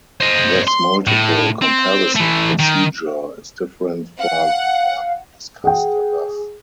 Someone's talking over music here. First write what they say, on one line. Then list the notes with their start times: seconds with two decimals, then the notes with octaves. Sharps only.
This multiple comparison procedure is different for the one discussed above.
0.21 C5 D#5
0.68 C6
1.07 A2
1.62 C4
2.16 E3 A3
2.59 D#3
4.20 F5 F#5
5.64 G#4 F#5 G5